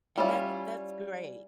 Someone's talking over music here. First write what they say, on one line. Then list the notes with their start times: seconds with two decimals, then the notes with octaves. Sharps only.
And that's that's great.
0.17 G3 C#4 E4 F4